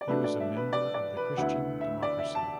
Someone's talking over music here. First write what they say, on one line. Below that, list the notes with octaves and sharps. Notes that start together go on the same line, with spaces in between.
He was a member of the Christian Democracy.
D5
B2 A3 D4 B4
D5
E5
B4
D5
D5
B4
D2 D3 B3 E4 F#5
E5
D5
E5
A5